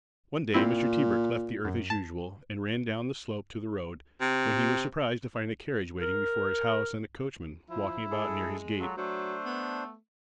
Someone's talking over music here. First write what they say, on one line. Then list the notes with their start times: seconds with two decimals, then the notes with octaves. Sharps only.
One day Mr. Tebrick left the earth as usual and ran down the slope to the road, when he was surprised to find a carriage waiting before his house and a coachman walking about near his gate.
0.54 A#2 C4 E4
1.65 F#2
1.90 A5
4.21 C3
6.01 A#4
7.70 F3 E4
8.11 G#3 G#4 A4
8.80 F#3 F4 A4
8.97 F#3 A3 D4 C5
9.45 B3